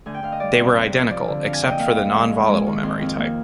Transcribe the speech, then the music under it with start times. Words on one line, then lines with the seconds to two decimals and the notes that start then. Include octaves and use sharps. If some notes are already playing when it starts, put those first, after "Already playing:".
They were identical except for the non-volatile memory type.
0.06 D2 G#5
0.14 G5
0.23 D2 F5
0.32 D#5
0.40 G3 D5
0.59 C3
0.76 F2 C5
0.93 F2
1.10 F3 D5
1.27 D3
1.45 D4 F5
1.53 G#5
1.62 A#2 G5
1.71 D#5
1.79 A#3 F5
1.96 F3
2.14 G#2
2.32 G#2
2.49 G#3
2.66 D#3
2.83 F2 C6
3.01 F2
3.18 A#3